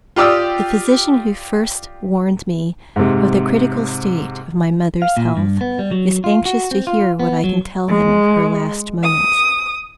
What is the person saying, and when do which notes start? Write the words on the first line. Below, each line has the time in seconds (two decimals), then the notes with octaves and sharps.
The physician who first warned me of the critical state of my mother's health is anxious to hear what I can tell him of her last moments.
0.16 F4 G4 D5 D#6 E6
2.96 G#2 C3
5.02 F5
5.17 A#2
5.37 G2
5.61 B3
5.79 G3
5.91 F#3
6.24 F4
6.45 F#4
6.71 C4
6.87 F4
7.20 B3
7.44 F#3
7.88 G#3
9.03 D#6